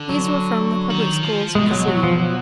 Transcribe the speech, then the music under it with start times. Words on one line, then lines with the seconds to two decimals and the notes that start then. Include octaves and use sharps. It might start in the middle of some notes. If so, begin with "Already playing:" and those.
These were from the public schools of the city.
Already playing: D3
0.09 F#3
0.90 D#3
1.23 F3
1.55 B2 G#3
1.71 F#3
1.88 F#3
2.03 F3
2.20 F#3